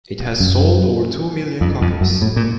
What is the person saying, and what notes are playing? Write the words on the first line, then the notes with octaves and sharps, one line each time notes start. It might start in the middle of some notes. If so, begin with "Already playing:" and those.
It has sold over two million copies.
F#2
F2
F2
F#2
A2
A#2